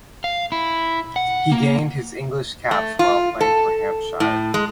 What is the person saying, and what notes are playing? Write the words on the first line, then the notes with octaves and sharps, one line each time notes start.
He gained his England caps while playing for Hampshire.
F5
E4
F#5
A#3
A3
F4
A4
A2
G#3